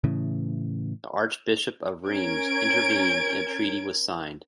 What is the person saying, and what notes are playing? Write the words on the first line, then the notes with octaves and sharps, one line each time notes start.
The Archbishop of Reims intervened and a treaty was signed.
A2 C#3 E3
C#4 A#4 G#6 D7